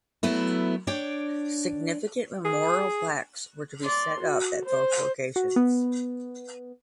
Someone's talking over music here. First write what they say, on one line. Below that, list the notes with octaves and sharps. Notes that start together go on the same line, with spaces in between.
Significant memorial plaques were to be set up at both locations.
F#3 A3 B3 E4
D4 C#5 D5 G5
G#4
D5 C6
F#4
C5
F#4
B3